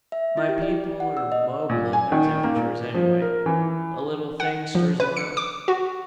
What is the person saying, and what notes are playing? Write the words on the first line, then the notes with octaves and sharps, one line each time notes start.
My people are mobile in their temperatures, anyway--a little thing stirs them up.
E5
E4
G4
D5
D5
F#5
E6
D#5
A#2
G#5
D#3
A#3
A#2
F3
A#4
E3
F#5
F3
B4
C#7
D6
F#4